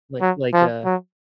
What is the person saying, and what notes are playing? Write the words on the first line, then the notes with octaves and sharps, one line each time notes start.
Like, like, uh
F#3
F3
F#3